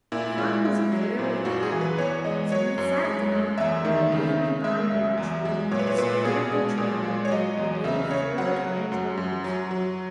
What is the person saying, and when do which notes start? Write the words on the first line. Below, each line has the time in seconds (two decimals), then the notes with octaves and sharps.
My father was very hungry so he sat down under a baby banyan tree on the side of the trail and ate four tangerines.
0.12 A#2 E4
0.38 G#3
0.65 G#3
0.92 F#3
1.19 A#2
1.45 F#2 F#4
1.63 G#4
1.72 E3
1.81 B4
1.98 E2 C#5
2.24 G#3 D#5
2.52 F#3 C#5
2.78 F#2
3.05 G#3
3.32 F#2
3.58 E2 E5
3.85 D#3
4.12 C#3
4.39 C#3
4.64 G#3 E5
4.92 F#2
5.17 E2
5.45 G#3
5.71 A#2 C#5
5.79 B4
5.87 C#5
5.98 A#2 B4
6.24 B2 G#4
6.51 G#3
6.78 A#2
7.04 G#3
7.25 C#5
7.31 F#3 D#5
7.57 E2
7.84 C#3 E5
8.11 C#3 C#5
8.38 F#3 F#5
8.64 F#3
8.92 F#2
9.17 F#2
9.44 F#3
9.71 F#3